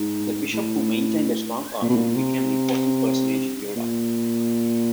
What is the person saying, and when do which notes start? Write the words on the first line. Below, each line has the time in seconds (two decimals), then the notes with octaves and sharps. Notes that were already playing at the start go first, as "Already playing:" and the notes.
The bishop, who maintained a strong army, became an important personage in Europe.
Already playing: G#2
0.53 A2
1.82 A#2
1.89 B2
1.96 A#2
2.15 C3
3.76 A#2